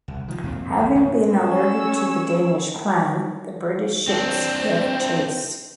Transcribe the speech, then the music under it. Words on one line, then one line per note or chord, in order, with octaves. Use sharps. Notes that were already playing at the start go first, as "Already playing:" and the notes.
Having been alerted to the Danish plan, the British ships give chase.
C2
D#3 F3
F2 A#2 C4
D#1 D#2
A2
C#4 E6
C4 D4